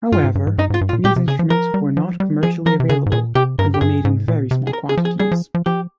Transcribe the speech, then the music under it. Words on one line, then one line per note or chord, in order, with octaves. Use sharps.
However, these instruments were not commercially available and were made in very small quantities.
G2 F4
G#2
G2
G#2
G2 D#4
G#2 F4
G2
F4
A#2
A#2 G4
C3
C#3 G#4
F3
F3 A#4
G3
F3
G3
F3 G#4
F3 A#4
C3
C#3 G#4
G#2
A#2 G#4
C3 G4
G2 A#4
G4
G2 G#4
G#2
A#2
C3
G#4
A#4
G#4
F3
G#4
G3 G#4
F3
F3
F3 G4